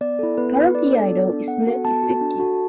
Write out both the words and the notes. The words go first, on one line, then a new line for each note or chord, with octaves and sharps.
A part of iaido is "nukitsuke".
B3 D5
E4 A4
B3 B4
E4 A4 B4
B3 D5
D4 A4
B3
D4 A4
B3 F#5
F#4 A4
B3 A5
F#4 A4
D4
F#4 A4